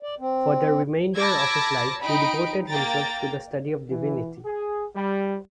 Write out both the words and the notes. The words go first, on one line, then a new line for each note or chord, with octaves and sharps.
For the remainder of his life he devoted himself to the study of divinity.
D5
C4
A5 B5 D6 E6 G#6 A#6
D#4 G5 B5 D7
A#3 G5 A#5 A6
E3
G#4
G3